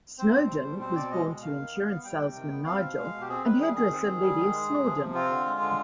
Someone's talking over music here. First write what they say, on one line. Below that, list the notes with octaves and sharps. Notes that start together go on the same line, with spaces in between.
Snowdon was born to insurance salesman Nigel and hairdresser Lydia Snawdon.
C4 C5
B2
G3
B2
C4 C5
B2 D5
G#3 D#5
B2
D#3 F5
D#3
B3
B3
G3 G5
C3
D#3
B3
C4 F5
B2
G#3
B2
G4
C4 G#4
D#3 B4
G3 G#4
D#3 G#4
C4
D#3
G3
D#3
G#3
C3
F3
C3
C4 F4
D3
G#3
D3